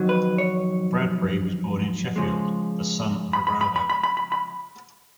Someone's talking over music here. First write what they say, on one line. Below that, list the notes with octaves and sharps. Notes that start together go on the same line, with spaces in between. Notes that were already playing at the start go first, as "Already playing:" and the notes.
Bradbury was born in Sheffield, the son of a railwayman.
Already playing: F2 D#3 F#3
B4
C#5
C#3 F3 G#3
B5
B5
B5
B5
B5
B5
B5
B5